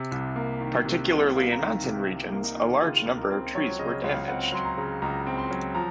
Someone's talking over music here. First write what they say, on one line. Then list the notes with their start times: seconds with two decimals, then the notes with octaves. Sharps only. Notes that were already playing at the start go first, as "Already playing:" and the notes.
Particularly in mountain regions, a large number of trees were damaged.
Already playing: C3
0.12 C2
0.36 A#3
0.61 D#3
0.85 C3
1.10 C2
1.35 A#3 F5
1.52 A#5
1.59 D#3
1.84 C3
2.08 C2
2.33 A#3
2.44 D#4
2.57 D#3
2.81 C#3 F4
3.06 C#2
3.18 A#4
3.30 C4
3.55 F#3 C#5
3.79 C#3 D#5
4.04 C#2 F5
4.28 C4 F#5
4.52 F#3 C6
4.65 A#5
4.78 C#3
5.02 C#2 A#5
5.27 C4
5.38 C6
5.51 F#3
5.75 F3 A#5